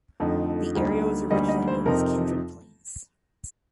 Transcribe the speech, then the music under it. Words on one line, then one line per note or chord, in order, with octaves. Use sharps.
The area was originally known as Kindred Plains.
F2 D3 F3 A3 D#4
D2 D3 G3 A#3 D#4
D2 D3 G3 A#3 D#4 D#5
D#5
C5
F2 C3 F3 C4 D#4 A#4